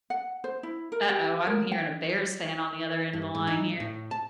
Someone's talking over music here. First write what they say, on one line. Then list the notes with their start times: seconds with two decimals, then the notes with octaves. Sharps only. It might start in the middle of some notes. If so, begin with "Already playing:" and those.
Uh-oh, I'm hearing a Bears fan on the other end of the line here.
0.10 F#5
0.44 C5
0.63 E4
0.92 A#4
1.10 G4
1.47 A#4
1.72 G5
3.13 G2
3.35 G#2
3.47 D#4
3.80 A2
4.11 A5